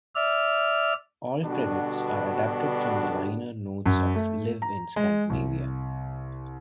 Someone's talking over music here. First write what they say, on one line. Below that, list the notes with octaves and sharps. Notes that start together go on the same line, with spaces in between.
All credits are adapted from the liner notes of "Live in Scandinavia".
D5 E5 F6
B2 D3 G3 B3 D4 F#4
F#2
A3
A#5
G#3
C2